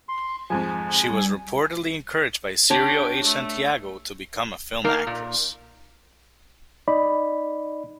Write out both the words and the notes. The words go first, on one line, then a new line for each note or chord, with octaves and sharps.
She was reportedly encouraged by Cirio H. Santiago to become a film actress.
C6
F2 G#2 F3 G#5
G3
D4 G4 C#5 D5
A3
A#3 D#4 A#4
A#2
D#4 D5 D#5 B5